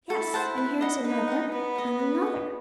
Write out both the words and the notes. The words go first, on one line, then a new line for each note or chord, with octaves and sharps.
Yes--and here is another, and another.
E4 A4
C5 F#5 A5
B4
D#5 F#5
D#4 B4
D#5 F#5
B3 B4
D#5 F#5
B4
D#5 F#5